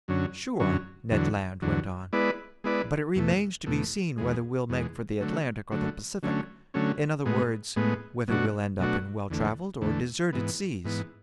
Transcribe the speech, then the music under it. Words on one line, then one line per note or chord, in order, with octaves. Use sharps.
"Sure," Ned Land went on, "but it remains to be seen whether we'll make for the Atlantic or the Pacific, in other words, whether we'll end up in well-traveled or deserted seas."
F#2 D3 F#3 C#4
F#2 D3 F#3 C#4
E2 D3 F#3
E2 D3 F#3
G#3 B3 E4 B4 D5
G#3 B3 E4 B4 D5
E2 B2 A3
E2 B2 A3
E2 B2 G#3
E2 B2 G#3
D3 F#3 A3
D3 F#3 A3
D3 F#3 A3 C#4
D3 F#3 A3 C#4
A2 G#3 B3
A2 G#3 B3
B2 F#3 A3 D4 F#4
B2 F#3 A3 D4 F#4
E2 D3 A3
E2 D3 A3
G#2 E3 B3
G#2 E3 B3